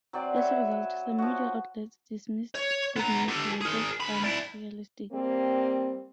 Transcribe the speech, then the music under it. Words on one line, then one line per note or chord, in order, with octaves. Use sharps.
As a result, some media outlets dismissed Goodman's role as unrealistic.
F#3 C4 D5
B4 C#5 E5
F3 F#4
C#5
B3 A#5
G4 A4
G#4 A#4
D2 B5
E4 D5
G3 A#3 C4